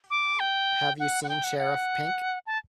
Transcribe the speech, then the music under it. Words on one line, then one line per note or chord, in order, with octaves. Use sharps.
Have you seen Sheriff Pink?
D6
G5
F#5
F#5
G5
F#5
F#5
A5